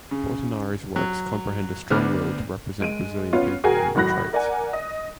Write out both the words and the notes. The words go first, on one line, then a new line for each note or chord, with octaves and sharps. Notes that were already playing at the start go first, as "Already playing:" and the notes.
Portinari's works comprehend a strong will to represent Brazilian people and their traits.
C#3
F#3
D2 B3 D4 F6
G#3 D7 D#7
B3 C#4 F4
F#4 G#4 A#4 G5 G#5
G#1 A2 F#3 B5 F#6 A#6
A#4 D5 F#5 G#5
D#5